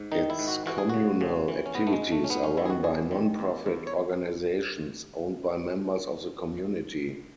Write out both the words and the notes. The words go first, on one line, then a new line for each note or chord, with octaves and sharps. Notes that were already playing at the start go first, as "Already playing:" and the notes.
Its communal activities are run by non-profit organizations owned by members of the community.
Already playing: G#2
D#3 D#4
E4
G#2
F#4
E3 F#4
G#4
C#3 F#4
C#3
E3
C#4
G#2 B3
A3
G#3
G#2
A3
C#4
G#2 B3
C#4
D#3 E4
G#4
F#4
E2 G#4
D#3
E2
E2
C#5